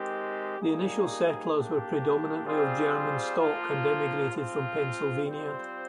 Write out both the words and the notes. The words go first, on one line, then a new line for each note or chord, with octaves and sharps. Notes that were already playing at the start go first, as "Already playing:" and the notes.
The initial settlers were predominantly of German stock, and emigrated from Pennsylvania.
Already playing: D#3 G#3 C4 G4
A#2 G3 A#3 D#4 G#4
A#3 D4 G4
G3 C4 F4 G#4 C5
F3 A#3 F4
F3 C4 F4
G3 C4 F4 C5